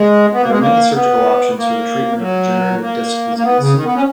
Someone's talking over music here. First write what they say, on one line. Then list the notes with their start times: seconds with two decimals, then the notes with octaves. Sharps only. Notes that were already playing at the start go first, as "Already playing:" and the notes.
There are many surgical options for the treatment of degenerative disc disease.
Already playing: G#3
0.33 B3
0.41 A#3
0.50 G#3
0.59 A#3
0.95 B3
1.57 A#3
2.19 F#3
2.81 A#3
3.36 A#3
3.44 B3
3.60 C#3
3.75 D#3
3.85 B3
3.96 C#4